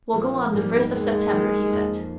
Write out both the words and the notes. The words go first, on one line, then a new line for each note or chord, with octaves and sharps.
"We'll go on the first of September," he said.
A#1 F3
G#2 D#3 G3 A#3
D#2 G#3
D#3 A#3 D#4
F2